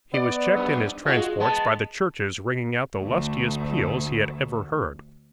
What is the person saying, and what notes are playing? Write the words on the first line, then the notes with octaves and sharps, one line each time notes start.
He was checked in his transports by the churches ringing out the lustiest peals he had ever heard.
B3 D5
F#2
G#3 F4 F#4 G#4
G#3 B3 A5
D2 A3